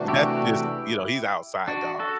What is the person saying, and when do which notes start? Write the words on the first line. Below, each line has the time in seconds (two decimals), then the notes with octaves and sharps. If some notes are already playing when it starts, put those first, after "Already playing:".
That's just you know, he's outside dog.
Already playing: C3 E3 A3 D4 F#4
0.08 E4 G4
1.68 D4 F#4
1.99 F#4 A4